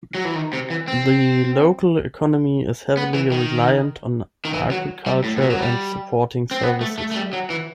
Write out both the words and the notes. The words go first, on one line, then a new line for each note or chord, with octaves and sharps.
The local economy is heavily reliant on agriculture and supporting services.
F#3
E3
D#3
C3
E3
C4
B3
E3
D#3
D#3
E3
F#3
G3
A2
A2
B2
F#3
G3
C4
B3
A3
A3
A3
G3
F#3
E3